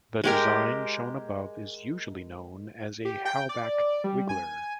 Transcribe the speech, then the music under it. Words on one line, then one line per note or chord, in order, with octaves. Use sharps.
The design shown above is usually known as a Halbach wiggler.
G#3 G4 A#4
G4
G5
D5
G3
G#5